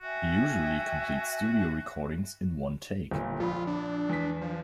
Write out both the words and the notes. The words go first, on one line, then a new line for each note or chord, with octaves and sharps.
He usually completes studio recordings in one take.
F#4 E5 G5 G#5
G1 A#2
A#1 F4 B5
D4
E2 B6
F3